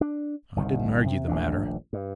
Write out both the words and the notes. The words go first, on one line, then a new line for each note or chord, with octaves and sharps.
I didn't argue the matter.
D4
G1 C2 D#3
C3
D#1 A#1 A3 D4
G2